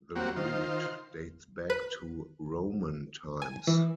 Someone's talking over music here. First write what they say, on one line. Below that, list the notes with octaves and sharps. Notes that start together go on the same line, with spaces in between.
The route dates back to Roman times.
F#3 G3 A#3 C4 F#4
D#3 F4 C5
B4
G#5
E3